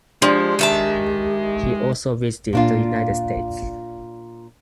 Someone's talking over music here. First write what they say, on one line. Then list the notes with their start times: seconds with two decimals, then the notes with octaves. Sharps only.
He also visited the United States.
0.22 F3 G#3 D4 G4 D5 C6
0.59 D#3 E5 A5
2.53 A#2 D4 F4